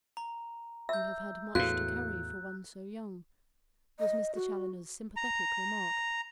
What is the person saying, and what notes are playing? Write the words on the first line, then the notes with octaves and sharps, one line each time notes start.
"You have had much to carry for one so young," was Mr. Challoner's sympathetic remark.
A#5
E5 E6 G6
E2 A2 F#4 F5 F#6
D#5
F#4
A#5